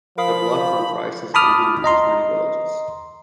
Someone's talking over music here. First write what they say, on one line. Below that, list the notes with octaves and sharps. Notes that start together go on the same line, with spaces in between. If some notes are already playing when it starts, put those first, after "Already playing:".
The block comprises one hundred and twenty villages.
F3 A#4 F5 B5 D#6
A5 B5 D6 D#6 F6
D#5 A#5 C6